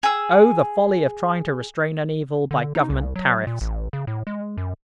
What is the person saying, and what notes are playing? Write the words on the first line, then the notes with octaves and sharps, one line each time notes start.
Oh, the folly of trying to restrain an evil by government tariffs!
G#4 E6
D3
D#4
C2
F#3
A#2
A1
C#3
A2
G#3
F#2